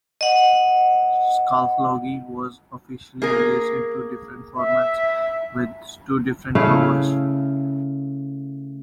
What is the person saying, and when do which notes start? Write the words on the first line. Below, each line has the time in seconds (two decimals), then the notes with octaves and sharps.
"Scatology" was officialy released in two different formats with two different covers.
0.21 D#5 F#5
3.22 A#3 G#4 A#4
4.57 E5
6.55 C#3 A3 E4 F5